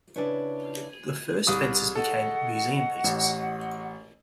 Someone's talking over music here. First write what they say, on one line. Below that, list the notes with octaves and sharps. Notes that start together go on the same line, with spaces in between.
The first fences became museum pieces.
C#3 D4 E4 B4 C#5
C2 D#6
A4 D#5 F#5 C#6
A1